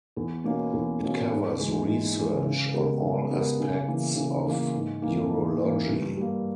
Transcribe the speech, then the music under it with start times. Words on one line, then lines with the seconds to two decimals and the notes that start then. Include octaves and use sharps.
It covers research on all aspects of urology.
0.16 E2
0.44 B2 A#3 C#4
0.73 E2
1.02 B2 A#3 C#4
1.31 G#2
1.59 E3 G#3
1.88 G#2
2.17 E3 G#3
2.45 C#3
2.73 G#3 B3 G4 A#4
3.02 C#3
3.31 G#3 B3 G4 A#4
3.60 C#3
3.88 E3 A#3
4.16 C#3
4.45 E3 A#3
4.74 G#2
5.02 E3 A#3
5.32 G#2
5.60 E3 A#3
5.88 G2
6.17 G3 A#3